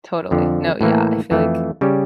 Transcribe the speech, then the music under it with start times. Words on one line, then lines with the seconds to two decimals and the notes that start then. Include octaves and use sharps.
Totally. No, yeah, I feel like
0.31 F2 D3 F3
0.81 A2 E3 A#3
1.31 F2 E3 A3
1.81 C#3 G3 C#4 G4